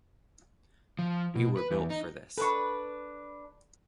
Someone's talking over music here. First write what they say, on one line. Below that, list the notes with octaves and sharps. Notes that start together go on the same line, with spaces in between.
We were built for this.
F3
B2
B4
E2
D#4
D4 A4 B4 C#6